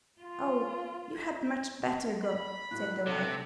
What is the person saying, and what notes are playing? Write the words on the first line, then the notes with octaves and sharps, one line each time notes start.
'Oh, you had much better go,' said the wife.
F4
B5
A2 F#3 F#6
C3 A3 D4 A4